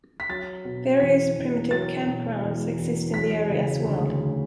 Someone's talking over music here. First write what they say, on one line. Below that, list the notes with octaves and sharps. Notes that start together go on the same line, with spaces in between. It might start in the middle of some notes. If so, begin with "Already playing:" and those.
Various primitive campgrounds exist in the area as well.
B6
F#3 A6
B2
E2 B6
E2
F#3 A6
B2
E2
E2
F#3 B6
C#3
D2
D2